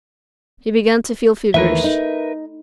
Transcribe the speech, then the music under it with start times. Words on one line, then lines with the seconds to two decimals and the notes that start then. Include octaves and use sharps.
He began to feel feverish.
1.54 D#2 E3 A3 A#4 B4 E5
1.84 D#4